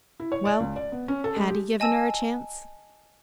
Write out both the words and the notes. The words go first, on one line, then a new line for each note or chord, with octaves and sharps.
Well, had he given her a chance?
E4
C#5
D5
C#2
D5
B3
C#4
A4
G#3
G4
D#5 G#5 A5 E6